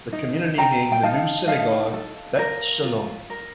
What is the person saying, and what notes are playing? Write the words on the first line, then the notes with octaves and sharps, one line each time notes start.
The community named the new synagogue "Bet Shalom".
D#4
A4 G5 A#5
G5
D#4 F5 A5
D#4 F5 A5
A4
A#4
F4
A#4